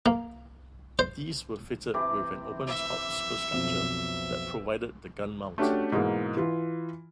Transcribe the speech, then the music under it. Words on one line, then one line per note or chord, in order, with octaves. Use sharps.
These were fitted with an open-top superstructure that provided the gun mount.
A#3
C5
C3 E3 D6
E5
B1 F2 E7
A3 C#4 D4 F#4 G4
G#2 B2 E3 G#3 A#3
E3 F4